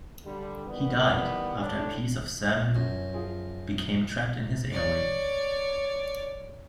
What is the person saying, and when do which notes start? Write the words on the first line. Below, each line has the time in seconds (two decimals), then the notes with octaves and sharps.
He died after a piece of salmon became trapped in his airway.
0.25 D3 G3
0.66 D#3 E3 G3 B3
1.59 A2 D4
2.75 F#2 F3 C#4
3.14 F3 F4 G#4
4.72 C#5 D5